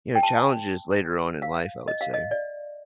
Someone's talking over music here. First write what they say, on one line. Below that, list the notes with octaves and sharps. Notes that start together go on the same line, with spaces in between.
you know, challenges later on in life, I would say.
G5
A5
F5
D#5
F5
D#5
D5